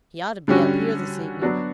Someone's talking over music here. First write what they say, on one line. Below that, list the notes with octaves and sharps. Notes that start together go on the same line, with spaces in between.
He ought to be up here this evening.
D3 G3 C#4 F#4
F#3 B3 D4 F#4